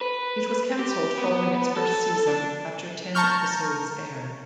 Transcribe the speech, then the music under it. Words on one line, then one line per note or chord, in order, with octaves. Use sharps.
It was cancelled following its first season, after ten episodes aired.
B4
G4
B3
A4
D4
A5 A#5 C#6 F6 G6